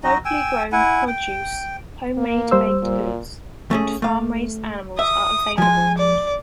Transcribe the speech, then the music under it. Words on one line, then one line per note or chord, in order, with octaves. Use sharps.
Locally grown produce, homemade baked goods, and farm-raised animals are available.
F#3 D#4 F#4 D#5
G5 G#5 E6
E4 F#5 G#5
G5
A#3
G3 C5 E6
A#2
A3 C#4 G#4
A3 F5
E5 D#6
F3 G#3 G#5
D5